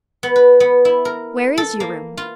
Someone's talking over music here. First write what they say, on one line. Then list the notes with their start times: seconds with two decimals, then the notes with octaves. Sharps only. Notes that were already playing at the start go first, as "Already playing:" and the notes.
"Where is your room?"
0.23 B3
0.36 B4
0.60 B3
0.85 E4
1.05 A#4
1.58 A4
1.80 A#3
2.17 F4